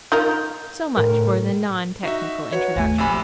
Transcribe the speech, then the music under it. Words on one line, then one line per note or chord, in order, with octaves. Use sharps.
So much for the non-technical introduction.
D#4 F4 A#4 G6
A2 A#4
D#4 F#4 E5
F#4 B4 C#5
G1 D#2 A3 G#5
A#1 C3 B5 E6